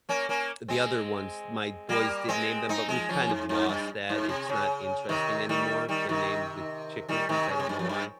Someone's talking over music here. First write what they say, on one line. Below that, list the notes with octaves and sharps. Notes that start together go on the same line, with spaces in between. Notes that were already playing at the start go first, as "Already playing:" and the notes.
the other ones, my boys did name them, but we've kind of lost that, it's not interesting anymore to name the chickens, I don't know why.
A#3 C#4
A#3 C#4
G#3 C4
G3 A#3
G#3 C4
C4 D#4
F3 G#3
C#3 F3
G#2
G#2
G2
G#2
C3
C#3
C3 D#3
D#3 G3
D#3 G3
C3 D#3
D#3 G3
C3 D#3
C#3
C3
G2
F2
G2